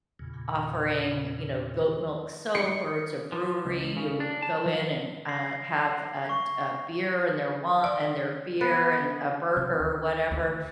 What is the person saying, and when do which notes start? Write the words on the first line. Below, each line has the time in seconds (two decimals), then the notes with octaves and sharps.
offering, you know, goat milk soap or it's a brewery, you go in and, uh, have a t a beer and their wi and their beer and a burger or whatever.
0.19 E2 A#2 C#3
2.55 C#7
3.32 F3
3.65 C#2
3.97 C#3
4.20 D4
4.42 A5
4.66 F3
5.25 A#6 C7
6.29 C#6
7.84 D5 E6
8.61 B3 B4 A6
9.57 C3
9.80 D2
10.31 D2